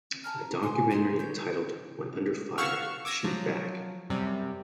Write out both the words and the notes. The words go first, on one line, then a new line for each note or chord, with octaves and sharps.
A documentary entitled When Under Fire: Shoot Back!
A5 A#5 F6
G#5 C6 D#6 E6
D#4 G4 G#4 C6
C#5 G6
F5 F#5 C#6 E6 F6
D6 E6 G#6 A#6
F3 F#3
F#2 C3 G3